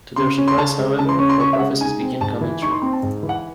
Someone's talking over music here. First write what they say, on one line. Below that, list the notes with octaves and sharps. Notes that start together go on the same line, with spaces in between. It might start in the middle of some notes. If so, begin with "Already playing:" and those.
To their surprise however, her prophecies begin coming true.
C#3 C6
C#4
C6
C#3 A5
G#3
C#3 A5
C6
C#4 C#6
C6
C#3 C#6
E5
G#3 F#5
D#4 G#5
C4
G#2 A5
E3
D#4 C#6
C6
C4 C6
A5
G#2
E3
F#5